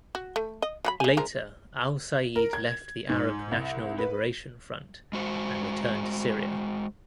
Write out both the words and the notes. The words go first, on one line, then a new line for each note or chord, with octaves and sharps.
Later Al Saeed left the Arab National Liberation Front and returned to Syria.
F#4
A3
D#5
F#3 F#4 B5
C#3 G#5
F3 G#3 A#4
A#4
G#6
G#2
C2
B4
G#3 F#4 C5